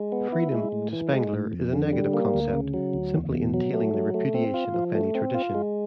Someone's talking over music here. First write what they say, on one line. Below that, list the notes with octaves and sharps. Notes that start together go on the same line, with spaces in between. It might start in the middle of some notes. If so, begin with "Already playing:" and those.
Freedom, to Spengler, is a negative concept, simply entailing the repudiation of any tradition.
Already playing: G#3
B3
E4
G#3
A2
E3
G#3
A2
F2
D3
G3
A#3
D2
C#3
F#3
D2
E2
B2
F#3
A3
F#3
A3
C4
F4
F3
A3
C4
F4
G#3